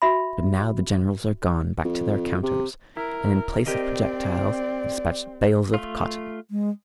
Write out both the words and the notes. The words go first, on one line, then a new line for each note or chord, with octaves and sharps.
But now the generals are gone back to their counters; and in place of projectiles, they despatch bales of cotton.
F#4 E5 B5
F2
C3
E4 A#4
C4 G4 A#4 D5 D#5
A3 F4
G#3